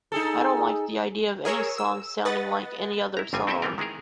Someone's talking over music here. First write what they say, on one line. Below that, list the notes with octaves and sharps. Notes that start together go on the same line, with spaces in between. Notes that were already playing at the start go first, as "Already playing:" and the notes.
I don't like the idea of any song sounding like any other song.
D#4 G#4 A4
G#4 A#4 C#5 E6
E6
B4 D#5 F#5 A6
E4 A#5
G1 G2 G3 C4 F4 G#5
C4 E4 G4 A4 D#5 E5
E3 G3 B3 C4 F4 A#4
D#3 G#3 E4 G#4 A#4